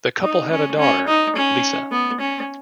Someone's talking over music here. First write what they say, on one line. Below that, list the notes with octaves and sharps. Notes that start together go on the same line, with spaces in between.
The couple had a daughter, Lisa.
D#4
C#4
C#4
D#4
C#4
B3
C#4